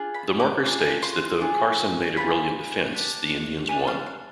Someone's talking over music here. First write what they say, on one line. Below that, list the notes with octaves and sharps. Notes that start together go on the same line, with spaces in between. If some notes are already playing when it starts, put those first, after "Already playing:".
The marker states that though Carson made a brilliant defense, the Indians won.
Already playing: D4 F4 G#4
B5
D6
D4 F4 G#4 D6
C6
D4 F4 G#4
D4 F4 G#4 B5
D4 G4
D4 G4 G#5
F5
F5